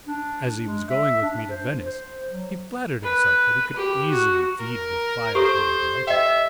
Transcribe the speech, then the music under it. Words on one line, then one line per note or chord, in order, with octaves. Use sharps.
As he was going with me to Venice, he flattered himself that he could easily feed the fire he had lighted.
D4
G#3
E5
D4
C5
C5
F#3
B4
G4
F#4
A#4
G4 A4 C5
D#5 E5 G5